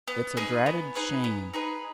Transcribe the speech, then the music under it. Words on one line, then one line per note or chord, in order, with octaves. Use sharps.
It's a dratted shame!
B3
D#4 G#4 B4
B3
D#4 G#4 B4
B3
D#4 G#4 B4